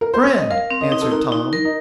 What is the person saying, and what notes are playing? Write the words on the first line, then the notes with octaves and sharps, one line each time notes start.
"Friend," answered Tom.
A#4
C5
C#5
D#5
A#4 F5
C4
D#5
D#4
A4
D#4 A#4
D#4
A#4
D#4